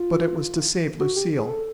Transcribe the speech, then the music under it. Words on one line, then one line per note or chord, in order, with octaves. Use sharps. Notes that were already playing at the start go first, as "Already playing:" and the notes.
But it was to save Lucille.
Already playing: F4
F#4
G4
G#4
A4